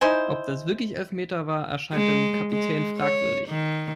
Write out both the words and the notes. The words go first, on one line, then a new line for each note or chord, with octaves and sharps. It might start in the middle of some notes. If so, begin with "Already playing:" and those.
Ob das wirklich Elfmeter war, erscheint dem Kapitän fragwürdig.
D#4 E4 C5 G#5
G#3
G#3
C#5
D#3